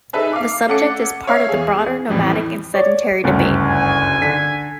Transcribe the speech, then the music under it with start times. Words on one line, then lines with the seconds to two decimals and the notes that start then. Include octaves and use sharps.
The subject is part of the broader "nomadic" and "sedentary" debate.
0.13 D#4 G#4 A4 B4 E5 A5
0.33 F5 D6
0.67 A3 C#4 A4 F#5 D6 C#7
1.27 C#5 E5 F5
1.49 E2 G#4
2.09 F2 A2 E3 G3
2.75 C#5 D5
3.24 F#1 D2 G2
3.62 G#5
4.21 D3 B6